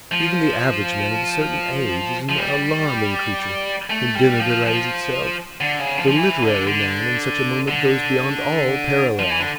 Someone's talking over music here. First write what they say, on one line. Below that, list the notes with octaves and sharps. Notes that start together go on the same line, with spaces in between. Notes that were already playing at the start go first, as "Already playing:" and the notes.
Even the average man of a certain age is an alarming creature when dinner delays itself; the literary man in such a moment goes beyond all parallel.
F3
F3
G3
A3
G3
F3
F3
D3
C#3
F3
F3
E3
D3
D3
D3
F3
E3
D3